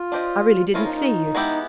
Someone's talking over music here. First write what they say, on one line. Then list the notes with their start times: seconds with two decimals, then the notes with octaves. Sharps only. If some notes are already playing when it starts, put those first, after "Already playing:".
I really didn't see you.
Already playing: F4
0.12 D4 G4 C5 D#5
0.74 F3 A#3 C#4 E4 F4 A#4
0.83 D#4
0.94 D#4
1.35 G#3 B3 E4 G4